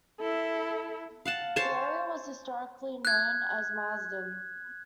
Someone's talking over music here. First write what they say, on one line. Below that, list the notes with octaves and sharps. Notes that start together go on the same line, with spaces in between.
The area was historically known as Marsden.
E4 A4
F5 F#5 A5
C5 C#5 G#5 A5
F#6 G#6